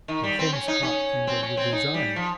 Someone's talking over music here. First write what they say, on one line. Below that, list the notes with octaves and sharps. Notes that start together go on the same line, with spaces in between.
Pahom's heart kindled with desire.
D#3
G3
C4
C#4
D#4
C#4
C4
C#4
C4
D#4
G3
F3